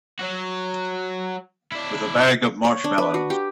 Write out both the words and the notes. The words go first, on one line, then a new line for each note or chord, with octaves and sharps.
With a bag of marshmallows.
F#3 F#4
D4 E4
C#5
D4
B4
F#4
G4